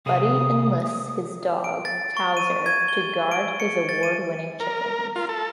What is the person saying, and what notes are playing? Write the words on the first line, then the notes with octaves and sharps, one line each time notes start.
Buddy enlists his dog, Towser, to guard his award-winning chickens.
C3 G#4 D#6
D7
A6
C#6
D#7
G#6
G7
G#6
D7
C#7
A6
D#7
A#4
F4
A4